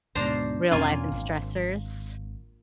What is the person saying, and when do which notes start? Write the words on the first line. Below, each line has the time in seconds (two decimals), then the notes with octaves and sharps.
real life and stressors.
0.15 D2 G#2 B2 D4 C5 A#5
0.71 E2 B2 A#3 C#4 F4 G#5
1.12 G#1